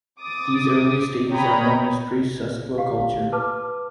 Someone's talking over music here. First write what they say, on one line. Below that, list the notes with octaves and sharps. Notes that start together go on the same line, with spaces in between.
These early stages are known as pre-Sesklo culture.
D6 D#6 A6
A#4 C#5 G5 A#5 B5 D#6
G4 F5
B4 A5 D6 F6